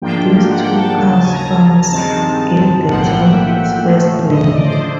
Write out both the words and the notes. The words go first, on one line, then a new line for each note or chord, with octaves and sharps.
These two cow farms gave the town its first name.
G#2 F3 A#3 D4 F4 G5
F#5
G5
A5
A5
D#2 C#3 F#3
A5
G#5
A#5
G2 D#3 G#3 C4 D#4 A5
B1 A2 F3 A#3 F#5
G5
F#5
E5
A2 F3 A3 C#4
D#5
D#5
D5
C5
D3